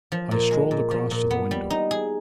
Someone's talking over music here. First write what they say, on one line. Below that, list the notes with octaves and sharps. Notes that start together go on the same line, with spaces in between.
I strolled across to the window.
F3
A#2
G#3
A#2
F3
A#2
B3
G3
D#4
G#4